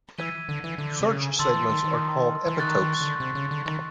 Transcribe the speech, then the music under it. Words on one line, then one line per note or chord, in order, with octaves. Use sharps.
Such segments are called epitopes.
E3 E6 G#6 B6 D#7 G7
D3
E3
D3
C3
C#3
D3 A5 C6 E6 A6
E3
D#3
D#3
E3
D#3 C#6 F#6 A6
D#3
D3
C3
C#3
D3
D#3